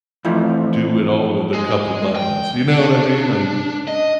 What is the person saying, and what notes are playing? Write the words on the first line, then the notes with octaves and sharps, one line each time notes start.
do it all with a couple buttons, you know what I mean? Like,
F2 E3 F3 A3
G#3
G5
D4
D#5